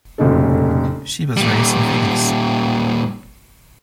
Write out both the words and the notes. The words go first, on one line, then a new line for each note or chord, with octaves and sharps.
She was raised in Phoenix.
F1 F#2 A#2 C#3 D#4 A4
A#2 G3